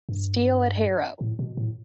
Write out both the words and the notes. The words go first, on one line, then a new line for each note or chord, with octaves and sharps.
Steel at Harrow.
G2
A2
B2
A2